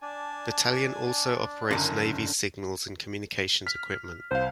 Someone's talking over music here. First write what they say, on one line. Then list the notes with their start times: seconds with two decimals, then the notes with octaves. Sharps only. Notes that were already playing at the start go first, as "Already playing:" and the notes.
Battalion also operates Navy's signals and communications equipment.
0.02 D4 D5 G#5 A5
1.71 F#1 F#2 D3 F#3 A3 G#5
3.67 F6 B6
4.31 C2 C5 F5